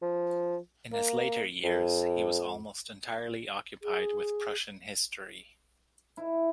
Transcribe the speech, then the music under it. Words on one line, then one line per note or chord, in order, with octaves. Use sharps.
In his later years he was almost entirely occupied with Prussian history.
F3
A#3
F2
G#4
E4